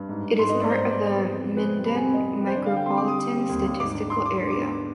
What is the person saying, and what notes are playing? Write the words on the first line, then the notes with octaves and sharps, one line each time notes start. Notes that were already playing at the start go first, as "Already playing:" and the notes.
It is part of the Minden Micropolitan Statistical Area.
Already playing: G2
G#2
G#2
G#2 C6
D#5
B3
D5
G#2 C5
C5
B3 D5
B3
B3
F2
F2
B4
C3 C5
G3
B5
F2 G#5
F2 D#5
F2
G3
C5
D3 D5
F5
D3
G5
C4 C6
D6
G3
D#6
D3
C4
D#2
D#2
G#2 D6
D4
D4 C6
D4 D6
D4 C6
D6
B3